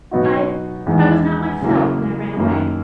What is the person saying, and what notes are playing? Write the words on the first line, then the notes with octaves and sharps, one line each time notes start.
I--I was not myself when I ran away.
B2 F#3 B3 D#4 F#4
E2 D#3 G#3 D#4
C#3 F#3 A#3 E4
F#2 D#3 A#3